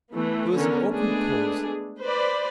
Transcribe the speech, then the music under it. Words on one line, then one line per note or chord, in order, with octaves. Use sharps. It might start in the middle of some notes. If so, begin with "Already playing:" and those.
There was an awkward pause.
E3 A3 B3
D3 B3 C#4 A#4
G#3 A3 B3 D4 G#4
B4 C5 D5 B5